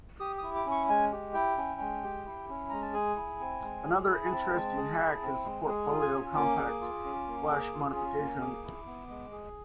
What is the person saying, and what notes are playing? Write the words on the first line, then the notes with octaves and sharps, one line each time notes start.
Another interesting hack is the Portfolio Compact Flash modification.
G4 D#6
E4 D#6
D6
C#4
C#6
G#3 G#5
G4
E4 G5
C#4
G#3
G4
E4
C#4
G#3 A#5
A5
G#4 G#5
E4
C4
G#3
G#4
E4
G#5
C4 A5
G#3
G#4
E4
C4
G#3
G#4
F4
G#5
C#4
A#3 D6
G#4
F4
C#4
A#3
G#4
F4
C#4
A#3
G#4 D6
E4
B3
G#3
G#4